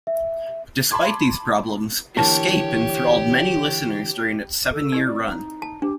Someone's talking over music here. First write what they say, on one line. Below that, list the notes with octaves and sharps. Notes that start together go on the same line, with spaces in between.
Despite these problems, "Escape" enthralled many listeners during its seven-year run.
E5
A5 B5 C6 D6 G#6
D3 E3 A#3 G4 C#5 A5
A4
C4 E4 D#5
D5
D#4
A5
D4 G4